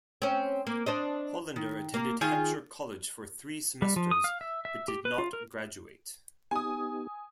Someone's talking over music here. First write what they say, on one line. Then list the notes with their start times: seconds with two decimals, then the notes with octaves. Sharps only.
Hollender attended Hampshire College for three semesters but did not graduate.
0.22 C4 C#4
0.67 A#3
0.86 D4 C5 D#5
1.56 D#3
1.94 A#3
2.21 D#3 F4 G#4
3.82 G3
3.96 F3
4.11 D#6
4.24 F5
4.41 E5
4.65 E5
4.88 G4
5.05 B4
5.18 F4
5.33 A#4
6.51 B3 D#4 G4 G#5 D#6